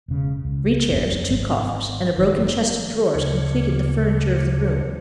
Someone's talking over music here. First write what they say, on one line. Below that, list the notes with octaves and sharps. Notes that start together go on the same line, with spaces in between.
Three chairs, two coffers, and a broken chest of drawers completed the furniture of the room.
E1 C#3
C#2
G1 E2
F#2
G#1
F#1 D#3
D2 C#3